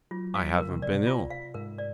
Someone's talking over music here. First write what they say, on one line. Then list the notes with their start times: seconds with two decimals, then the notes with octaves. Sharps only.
"I haven't been ill."
0.11 F#3 F4
0.35 F5
0.58 C#3 A#4
0.69 C3
0.79 B2 D5
0.89 C3
1.07 F4
1.30 F5
1.54 G#2 A#4
1.78 D5